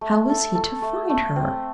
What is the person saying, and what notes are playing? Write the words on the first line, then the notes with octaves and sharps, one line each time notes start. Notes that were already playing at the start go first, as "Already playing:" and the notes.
How was he to find her?
A3
A4
A4
A3
A3
C4